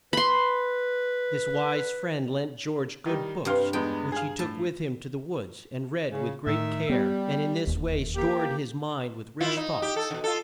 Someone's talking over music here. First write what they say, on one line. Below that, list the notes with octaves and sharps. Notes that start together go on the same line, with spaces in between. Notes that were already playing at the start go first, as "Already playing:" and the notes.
This wise friend lent George good books which he took with him to the woods and read with great care, and in this way stored his mind with rich thoughts.
B4 B5 C6
D#3 G3
G2 C3 G3 F5 C6
E2 G#3 B3 G5
G#4 F5
A2 A5
C#3
A2 D#3 E5
G3 B3
E1 D#2
A#3 G4
D#3 E4 F4
D#4
G4
A4
B2 D3
F4 A4